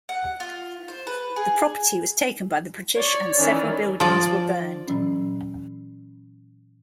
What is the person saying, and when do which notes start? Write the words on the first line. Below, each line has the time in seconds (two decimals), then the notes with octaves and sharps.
The property was taken by the British and several buildings were burned.
0.09 F#5
0.40 F4
0.88 C5
1.07 B4
1.36 G#4
2.95 C#5 D5
3.38 D#3 E3 C#4
4.00 F3 D5
4.88 A#2 E3 F#3 C#4